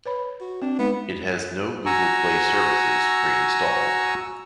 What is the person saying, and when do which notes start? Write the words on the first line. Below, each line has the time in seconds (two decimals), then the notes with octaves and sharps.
It has no Google Play Services preinstalled.
0.06 B4 C#5 B5
0.41 F#4
0.62 C4 D4
0.79 G#3 B3 D#4
1.86 F#4 G#5 A#5 C#6 E6